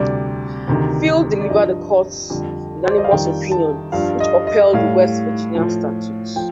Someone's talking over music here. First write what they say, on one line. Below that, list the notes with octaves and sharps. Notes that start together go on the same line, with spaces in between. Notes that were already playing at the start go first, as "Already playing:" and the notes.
Field delivered the Court's unanimous opinion which upheld the West Virginia statute.
Already playing: D2 C3 G3 D5
D2 C3 D#3
D5
G2 F3 D#5
F2 D3 G3
C5
D5
D#5
F5
F2 D#3 G3 G5
A5
G2 F3 F5
D#5
D#5
A2 G3 F5
A2 F3
F3 G5